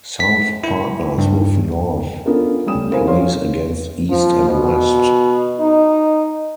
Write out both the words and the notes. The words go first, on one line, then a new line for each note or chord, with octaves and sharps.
South partners with North and plays against East and West.
B6
E4
G2
B3 C#4 D4 F4 A4 A#4
G3 A3 C#4 G5 D#6 E7
C4 E4 A#4 C5 F5 G#5
F3 C#5 F5 C6
F3
B2
D#4